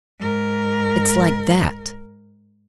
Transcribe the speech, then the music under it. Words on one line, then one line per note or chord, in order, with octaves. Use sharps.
It's like that.
G#2 A#4